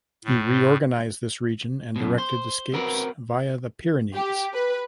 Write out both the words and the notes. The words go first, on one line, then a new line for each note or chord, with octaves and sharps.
He reorganized this region and directed escapes via the Pyrenees.
A2
F#2 B2
C5
C4 F#4 A#4 B4
G4
B4